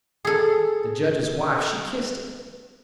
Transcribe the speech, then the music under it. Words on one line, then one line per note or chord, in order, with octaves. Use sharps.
The judge's wife she kissed it.
G#4 A4